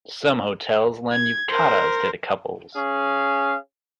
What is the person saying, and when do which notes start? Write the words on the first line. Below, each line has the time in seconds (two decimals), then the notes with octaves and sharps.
Some hotels lend yukatas to the couples.
1.12 G#6
1.50 A#4 C5
2.75 C#4 G#4 F5